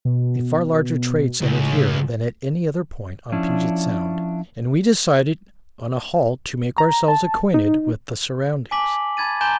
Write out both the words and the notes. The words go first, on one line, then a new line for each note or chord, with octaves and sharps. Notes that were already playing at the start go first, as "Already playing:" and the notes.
A far larger trade centered here than at any other point on Puget Sound, and we decided on a halt to make ourselves acquainted with the surroundings.
B2
C#2 A2
F3 C#4 D4 E4
A#5
A5
D#4
G#5 A5 D6 B6 F#7
A5 B5 G#6 A6 D#7
G#5 A#5 C6 G6 E7 G7